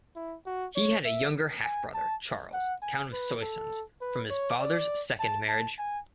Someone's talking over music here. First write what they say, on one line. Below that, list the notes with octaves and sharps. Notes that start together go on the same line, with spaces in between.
He had a younger half-brother, Charles, Count of Soissons, from his father's second marriage.
E4
F#4
C#5
E5
G#5
A5
F#5
G#5
B4
A4
B4
C#5
D5
A5
A5
G#5